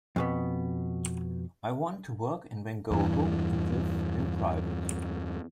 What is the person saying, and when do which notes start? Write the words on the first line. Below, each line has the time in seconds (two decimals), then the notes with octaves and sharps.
I want to work and then go home and live in private.
0.16 F2 B2 B3
2.91 E2 G2 E3